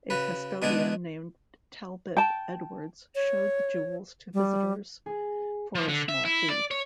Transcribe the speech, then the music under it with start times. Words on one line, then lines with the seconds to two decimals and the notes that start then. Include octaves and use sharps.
A custodian named Talbot Edwards showed the jewels to visitors for a small fee.
0.10 C#3 F#4 B4
0.62 B2 D3 G#3 D4 G#4
2.17 G5 A5
3.15 C#5
4.34 G3
5.06 G#4
5.75 F3
5.88 D3
6.09 E5
6.25 E4
6.50 D5
6.71 C#5